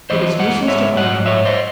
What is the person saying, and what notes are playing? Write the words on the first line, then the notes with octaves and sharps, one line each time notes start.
'It is useless to argue.
E3 C5 D#5
G#3 D#5 F#5
G#3 C#5 E5
G#2 D#5 F#5
G#2 C#5 E5
C5 D#5